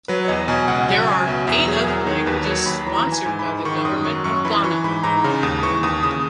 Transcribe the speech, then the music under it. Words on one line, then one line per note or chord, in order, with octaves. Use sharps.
There are eight other languages sponsored by the Government of Ghana.
F#3 B4
C#5
E2 D#5
B2 G#5
C#2 F#5
F#3 F#5
C#2 G#5
B2 E5
E2 E5
F#3 G#4
E2 A#4
D#3 C#5
D#2 B4
F#3 C#5
D#2 B5
E3 A#5
E3
G#5
G#2
B5
G#2
D#3 C#6
F#2 D#6
F#3 C#6
F#2 C#6
E3 B5
E3 C#6
G#2 B5
G#2 A#5
C#3
D#2 D#6
E3 C#6
D#2 D#6
C#3 D#6